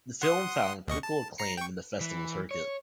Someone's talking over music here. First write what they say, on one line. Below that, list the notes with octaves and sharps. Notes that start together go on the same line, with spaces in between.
The film found critical acclaim in the festival circuit.
F#5 C6 D#6
D2 D#5 C#6
A5
A#5 C7 C#7
G5 C#6
E3
C#5